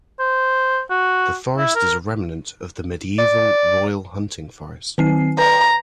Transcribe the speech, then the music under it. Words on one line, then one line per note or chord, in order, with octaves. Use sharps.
The forest is a remnant of the medieval royal hunting forest.
C5
F#4
E4
A#4
D5
D#3 C4 C7
B4 A#5